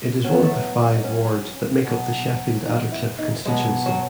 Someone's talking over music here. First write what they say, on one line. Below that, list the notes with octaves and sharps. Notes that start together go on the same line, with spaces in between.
It is one of the five wards that make up the Sheffield Attercliffe constituency.
A2 F#3 C#4
B3
A3
B3
D#4
C#4
B2 F#3
D#4
E4
D#4
B2 F#3 G#3
F#3